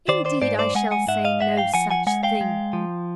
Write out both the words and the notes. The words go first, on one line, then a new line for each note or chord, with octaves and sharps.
"Indeed I shall say no such thing."
D#3 C5 D5
C5 D5
G#2 C5 D5
C5 D5
G#3 F#5 G#5
F#5 G#5
G#2 E5 F#5
D#5 F5
G#2 E5 F#5
F5 G5
F3 F#5 G#5
F#5 G#5
G#3 F#5 G#5
F5 G5
G#3
F3